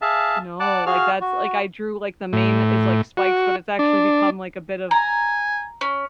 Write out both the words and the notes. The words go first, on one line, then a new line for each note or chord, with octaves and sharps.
No, like, that's like, I drew, like, the main is like, spikes, but it's actually become like a bit of,
G#4 E5 F5 A5
D5 F#5 A5 D6
F#4 G#4 F5 F6
F#4
A2
F#4
D4
G#5 A#5
C#4